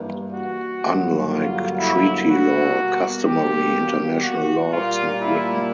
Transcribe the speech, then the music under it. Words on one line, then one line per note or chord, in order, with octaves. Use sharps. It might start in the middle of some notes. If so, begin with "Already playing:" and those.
Unlike treaty law, customary international law is not written.
Already playing: G2 E3 G3 A#3
F#4
G2 D3 F#3 A#3
F4
E4
F#4
B2 G3 A#3
G4
F#4
A#2 G3 A#3 F4
E4